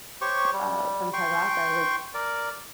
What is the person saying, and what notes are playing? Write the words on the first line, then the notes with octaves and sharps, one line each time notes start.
uh, from Ted Lasso, like,
G4 C5 C#5 C#6
G3
G5 C6 C#6
A#4 D5